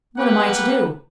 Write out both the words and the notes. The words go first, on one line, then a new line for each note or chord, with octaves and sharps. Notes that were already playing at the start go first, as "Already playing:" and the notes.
"What am I to do?"
A#3 B3 G4 B4 F#5